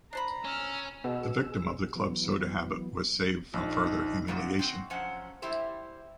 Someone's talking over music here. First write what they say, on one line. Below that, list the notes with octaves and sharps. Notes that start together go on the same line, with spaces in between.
The victim of the club soda habit was saved from further humiliation.
D4 C5 A#5 B5
C#4 E6 F6
B2 G#4 E6
E3 F#3 B3
A#1 D#4
G#2 C#3 A#3 D4 F#4 A5
C4 F#4
F#2 F3 C#4 C5 F#5
G3 E4 G4 C5